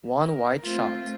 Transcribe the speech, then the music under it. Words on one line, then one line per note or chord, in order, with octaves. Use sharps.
One wide shot.
A#4
A3 C4 F4